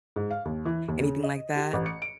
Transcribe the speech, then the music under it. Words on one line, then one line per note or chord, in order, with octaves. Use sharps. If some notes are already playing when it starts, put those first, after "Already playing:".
anything like that?
G#2
F5
D#2
E3
D#2
C#3
D#5
G4
A1
C#7
D7